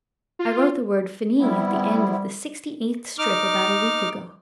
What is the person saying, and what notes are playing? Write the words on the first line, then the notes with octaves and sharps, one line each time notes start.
I wrote the word finis at the end of the sixty-eighth strip about a week ago.
F4
G3 B3 C4 E4
D#4 D6 F6